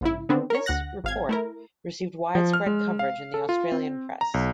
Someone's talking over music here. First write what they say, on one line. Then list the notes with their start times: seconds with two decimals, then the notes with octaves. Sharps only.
This Report received widespread coverage in the Australian press.
0.01 A#1 G#2 C#3 E4
0.29 D3 D#3 B3 C4 D4
0.50 A#4 C#5
0.66 D2 F#5 F#6 A#6
1.04 G#1 F5 G#6
1.29 A3 E4 A#4
2.35 F3
2.53 F6
2.66 G#3
2.99 F5
3.34 A4
3.49 F4
3.72 C4
4.21 A#5
4.34 B1